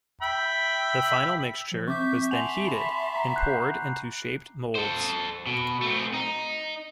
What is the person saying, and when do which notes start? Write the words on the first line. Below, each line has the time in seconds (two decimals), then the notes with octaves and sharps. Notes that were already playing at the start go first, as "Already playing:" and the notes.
The final mixture was then heated and poured into shaped molds.
0.22 E5 G5 B5
1.71 F3
1.88 C4 E5 C#6 D6 G6
2.31 E5 F#5 G#5 A5 C6 F7 F#7
2.67 B5
3.16 A#5
3.36 F#6 G6 C7
4.75 A4 C5
5.47 B2
5.82 A3 C4
6.14 D#4